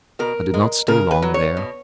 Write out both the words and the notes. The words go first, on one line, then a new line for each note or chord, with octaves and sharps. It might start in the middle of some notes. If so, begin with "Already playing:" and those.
I did not stay long there.
B2 A#4
G#3
C#3 A#4
B4
F#3
C#5
B2